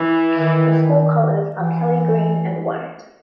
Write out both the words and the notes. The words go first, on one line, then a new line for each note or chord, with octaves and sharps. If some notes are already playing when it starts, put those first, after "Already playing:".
The school colors are Kelly Green and White.
Already playing: E3
D#3 E3
E3